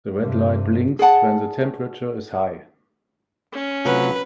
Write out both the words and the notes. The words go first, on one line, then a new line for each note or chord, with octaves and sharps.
The red light blinks when the temperature is high.
G2 C3
G#4 D5 F#5 A5
C#4
C3 F#3 A3 F4 B4